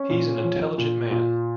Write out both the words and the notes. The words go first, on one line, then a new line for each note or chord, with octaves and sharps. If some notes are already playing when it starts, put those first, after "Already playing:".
He's an intelligent man.
Already playing: C#4
A#2
F3
A#2
A#2